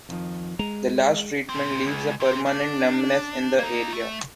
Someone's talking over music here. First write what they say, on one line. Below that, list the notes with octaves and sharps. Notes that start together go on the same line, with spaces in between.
The last treatment leaves a permanent numbness in the area.
F2 D#3 F3
G#3 A#5
A#2 C4
C#2
C3 C4
D4
A#3 D#4
A3